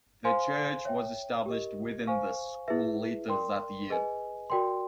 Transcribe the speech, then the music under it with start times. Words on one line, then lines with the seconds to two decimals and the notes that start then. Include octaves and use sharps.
The church was established within the school later that year.
0.25 C5 F5 G#5 C6
0.85 C#5 E5 G5
1.46 G4 A#4 D#5
2.07 C5 F5 G#5 C#6
2.68 E4 G#4 B4 E5
3.28 A#4 D5 G5 C6
3.90 G#4 B4 D#5 G#5
4.50 F#4 A#4 D5 G5 C6